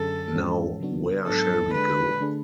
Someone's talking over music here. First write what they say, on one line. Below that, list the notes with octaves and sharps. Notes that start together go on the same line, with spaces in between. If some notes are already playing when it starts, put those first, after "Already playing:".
Now where shall we go?
Already playing: F#2 D3 F#3 C#4 G#4 A4
G#2 E3 G#3 C#4 F#4
C#3 F#3 B3 D4 F#4
G#2 F#3 B3 D4 A4
D3 G#3 D4 G#4 B4
D3 A3 D4 G#4